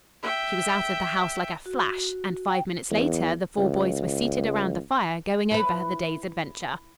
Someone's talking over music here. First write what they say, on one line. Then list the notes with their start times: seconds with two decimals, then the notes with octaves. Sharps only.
She was out of the house like a flash, and five minutes later the four boys were seated around the fire going over the day's adventure.
0.22 E5 G5
1.66 F#4
2.48 G5
2.91 E2
3.58 C#2
5.52 E4 B4